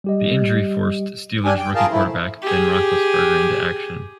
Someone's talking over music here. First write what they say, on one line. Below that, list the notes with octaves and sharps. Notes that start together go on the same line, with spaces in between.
The injury forced Steelers rookie quarterback Ben Roethlisberger into action.
G3 G4 D#5
D4 G4 G#5
G5
F4 G#4 A#4 F5 A5
F3 A3 E4
G4 G#4